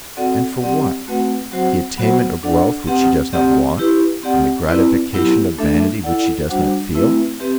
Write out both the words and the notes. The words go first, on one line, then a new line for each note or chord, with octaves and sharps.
And for what?-the attainment of wealth which she does not want, and the gratification of vanity which she does not feel.
C4 F#4 A4 D5 F#5
F#3 C4 G4 D5 F#5
A3 C4 F#4 B4 F#5
F#3 C4 F#4 C5 F#5
F#3 B3 F#4 C5 F#5
D4 A4 D5 F#5
C4 G4 B4 F#5
C4 G4 D5 F#5
E4 G4 B4
C4 G4 D5 F#5
C4 E4 B4 D5
F#3 B3 E4 G4
A3 D4 A4 E5
E4 A4 D5 F#5
G3 D4 F#4 C5 F#5
A3 C4 E4 B4 E5
C4 G4 B4 E5